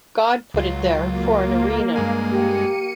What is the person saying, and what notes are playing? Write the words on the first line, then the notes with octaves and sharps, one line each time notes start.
God put it there for an arena.
C#2 F#3 F4
A#3
G2 G#3 G#5
G4 C#7 D#7